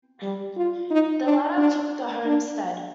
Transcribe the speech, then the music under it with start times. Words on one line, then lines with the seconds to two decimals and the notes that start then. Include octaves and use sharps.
The latter took the homestead.
0.23 G3
0.57 F4
0.90 D#4
1.24 D4
1.58 D4
2.25 D4